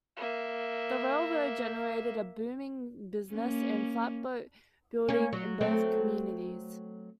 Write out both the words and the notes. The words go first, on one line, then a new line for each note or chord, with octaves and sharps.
The railroad generated a booming business in flatboat building in both communities.
A#3 E5
A#3 C#4
A#3 C#4
F#3
F#3 A3 C4